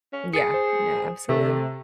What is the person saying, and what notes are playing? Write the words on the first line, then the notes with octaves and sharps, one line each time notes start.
Yeah. No, absolutely.
C#4
G#4 A6 C#7
C5
C3 A3